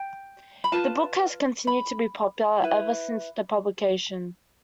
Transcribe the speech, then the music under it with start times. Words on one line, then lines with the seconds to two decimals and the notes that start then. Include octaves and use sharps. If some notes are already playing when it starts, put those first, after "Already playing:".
The book has continued to be popular ever since its publication.
Already playing: G5
0.64 B5
0.72 F4 B4 A5
1.67 B5
2.62 E4 B4